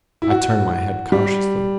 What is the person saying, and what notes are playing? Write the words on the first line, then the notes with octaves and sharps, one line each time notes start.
I turned my head cautiously.
E4
F#4
G3